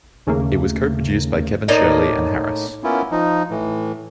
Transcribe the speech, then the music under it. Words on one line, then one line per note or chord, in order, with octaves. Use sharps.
It was co-produced by Kevin Shirley and Harris.
D#2 C#3 A3 A#3
A2 A#3 D#4 D5
A#3 B3 C#4 E4 F4
F3 D#4
A2 E3